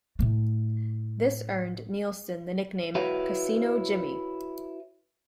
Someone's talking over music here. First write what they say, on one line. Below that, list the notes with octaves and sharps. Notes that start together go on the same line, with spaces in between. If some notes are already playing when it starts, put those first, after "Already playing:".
This earned Nielsen the nickname "Casino-Jimmy".
A2 A3
E4 F#4 B4 C#5 F5